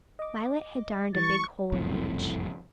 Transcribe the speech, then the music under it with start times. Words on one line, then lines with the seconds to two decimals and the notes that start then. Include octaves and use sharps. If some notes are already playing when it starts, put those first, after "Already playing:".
Violet had darned a big hole in each.
0.19 D#5 D6
1.14 E3 G3 C#6 A6
1.72 F#1 C2 F2 A2